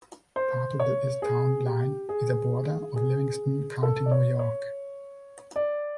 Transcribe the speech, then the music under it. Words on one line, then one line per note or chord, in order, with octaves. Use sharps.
Part of the east town line is the border of Livingston County, New York.
C5
C#5
G#4
G4
G#4
G#4
A4
D5
C#5
C#5
D5